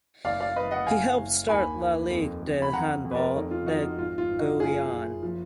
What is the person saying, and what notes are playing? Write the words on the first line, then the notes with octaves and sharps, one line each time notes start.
He helped start La Ligue de Handball de Guyane.
F#1 D5 F5
D5 F5
F#1 B4 D#5
D#5 F#5
F#1 F5 G#5
F#1
D#2 G#5 B5
D#2
F2
F2
B5
F2 F#5 A#5
F2
B4
A#4 D5
F2 D#4
F4
F2 D#4 F#4
F4
G#1 F4
F4
G#1
D#4 F#4
F#1 F4 G#4
F#1
F3